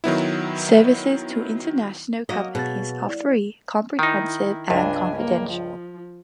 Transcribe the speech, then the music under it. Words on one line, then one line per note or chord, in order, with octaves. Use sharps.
Services to international companies are free, comprehensive and confidential.
D#3 F#3 B3 E4
F#3 A#3 A#4 D#5
B2 G#4 A6
E4 D5
D#3 D#4 E4
C#2 G2 D4 G#5
A#3
F3